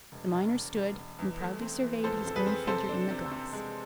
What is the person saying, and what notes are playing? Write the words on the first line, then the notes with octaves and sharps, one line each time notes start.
The miner stood and proudly surveyed his own figure in the glass.
E1
E1
E1
E1
E1
E2
A3
C4
E3
F2 A4 C5
C4 A4
G#4 B4
C4
C3 A4 C5
D4
C3
C3
G#3